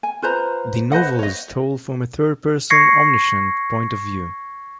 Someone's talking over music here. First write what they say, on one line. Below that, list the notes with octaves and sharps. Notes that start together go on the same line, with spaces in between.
The novel is told from a third-person omniscient point of view.
G#5
F4 B4 C5 A#5
B4 C5 D#5 F#5
C#5 D#5
C#6 G#6 A#6 C7 C#7